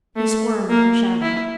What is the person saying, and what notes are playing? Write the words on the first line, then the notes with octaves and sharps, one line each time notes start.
He squirmed and shouted.
A3
A#3
E4